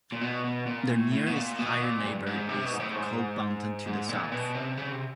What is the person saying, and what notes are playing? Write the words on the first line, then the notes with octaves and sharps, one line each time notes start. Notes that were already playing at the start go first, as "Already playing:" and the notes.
The nearest higher neighbor is Cobb Mountain to the south.
A#2
B2
B2
A#2
A2
A2
B2
A#2
B2
A#2
G2
G2
G#2
C3
B2
G#2
A2
G#2
G#2
A#2
B2
C3
C#3
C3